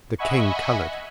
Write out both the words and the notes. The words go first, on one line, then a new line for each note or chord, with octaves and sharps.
The king colored.
D#5 E5 F#5 G#5 B5 C#6